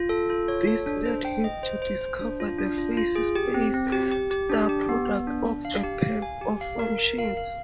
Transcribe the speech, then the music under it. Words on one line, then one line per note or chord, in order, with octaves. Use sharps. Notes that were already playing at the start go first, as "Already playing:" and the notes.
This led him to discover the phase-space star-product of a pair of functions.
Already playing: F4
A4
F4
C#5
A4
D4
C5
G5
D#5
C5
C5
C5
D4
F4
D4
F4
F4
G#4
G4
C4
C4
G4
G4
G4
D4
G4
B3
B3
D4
D4
F5
G4
F5
G#5
G4
F5
A#4
A#4
F5
F5